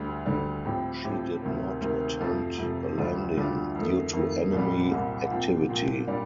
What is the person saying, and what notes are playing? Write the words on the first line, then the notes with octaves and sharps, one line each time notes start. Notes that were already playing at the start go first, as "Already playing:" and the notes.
She did not attempt a landing due to enemy activity.
Already playing: D2 D3 G3
D2 D3 G3
A2 F3 C4 G4
A2 F3 C4 G4
D2 C3 D#3 A#3
D2 C3 D#3 A#3
F2 C3 F3 A3
F2 C3 F3 A3
D2 D3 G3 D4 F4
D2 D3 G3 D4 F4
F2 D#3 A3
F2 D#3 A3
C2 A#2 G3
C2 A#2 G3
A#2 F3 C4
A#2 F3 C4
A#2 G3 D4